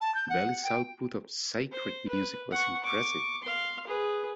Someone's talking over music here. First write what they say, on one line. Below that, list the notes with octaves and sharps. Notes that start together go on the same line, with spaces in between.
Belli's output of sacred music was impressive.
A5
G6
F#5
G5
C5
B4
F#5 C#6
C#6 D6
F5 C6
G#4 B4